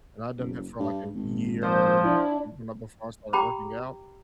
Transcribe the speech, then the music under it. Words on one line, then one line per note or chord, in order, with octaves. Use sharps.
and I'd done that for, like, a year b know, before I started working out.
F#1
G2
G#1
F3 C5
D4 E4
G4 G5 A#5 B5 D6